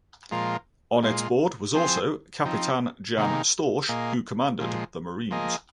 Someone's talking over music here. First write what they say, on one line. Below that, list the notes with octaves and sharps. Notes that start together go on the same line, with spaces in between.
On its board was also Capitan Jan Storch who commanded the marines.
A#2 F3 G#3 F4 A#4
A#2 G#3 F4
F3 C4 G#4 C5
F3 C4 D#4
C3 D#3 A#3 D#4 G#4
A#2 A#3 G#4 D#5
A#2 F3 G#3
F3 A#3 G#4 D#5